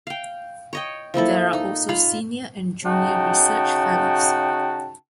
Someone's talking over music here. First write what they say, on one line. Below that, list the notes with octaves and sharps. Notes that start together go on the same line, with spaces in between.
There are also Senior and Junior Research Fellows.
F5 G5
C#5 D#5 G5
F3 A#3 E4 A4
D#4
F4 F5 B5
C#3 D#4 F#4 G5 A5